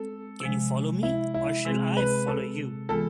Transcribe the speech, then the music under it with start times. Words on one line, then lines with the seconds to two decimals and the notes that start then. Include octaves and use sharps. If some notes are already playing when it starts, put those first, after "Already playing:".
Can you follow me or shall I follow you?
Already playing: G#3 C4 A4
0.40 C3 F3 G#3
1.03 E4
1.34 E4
1.65 C3 G#3 C4 G#4
1.97 B4
2.28 A4
2.89 E3 G#3 B3 F4 G#4 A4